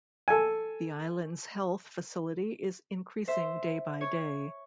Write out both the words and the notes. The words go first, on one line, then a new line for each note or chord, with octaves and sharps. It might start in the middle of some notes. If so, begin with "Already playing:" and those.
The islands health facility is increasing day by day.
A4 G#5
C5 E5
C#5